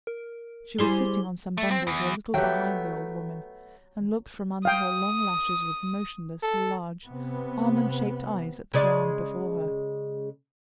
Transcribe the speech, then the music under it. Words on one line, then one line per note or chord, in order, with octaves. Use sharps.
She was sitting on some bundles a little behind the old woman, and looked from under her long lashes with motionless, large, almond-shaped eyes at the ground before her.
A#4
G3 E4 G#4 C5 G7
A3
C4
E2
F#3 A3 B3 G4 G5
F5 G5 D#6
A4
C3 B3
C#3 G#3 D5